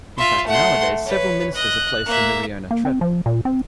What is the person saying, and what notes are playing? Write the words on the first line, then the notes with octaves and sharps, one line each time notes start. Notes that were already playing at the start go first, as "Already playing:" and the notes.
In fact nowadays several ministers are placed in the rione Trevi.
F4 E5 C6
A3 F#5 C6
B4 C#5
D#5 F#6
A#3 E5
A#3
C4
F3
A#2
C4